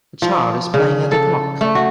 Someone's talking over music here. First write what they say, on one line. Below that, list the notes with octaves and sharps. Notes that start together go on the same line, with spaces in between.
A child is playing at a park.
F3
C#3
A4
A3
F#4